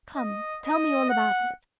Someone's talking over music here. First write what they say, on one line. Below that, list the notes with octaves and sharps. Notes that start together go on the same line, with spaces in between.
"Come, tell me all about it."
D#5
D#5
F#5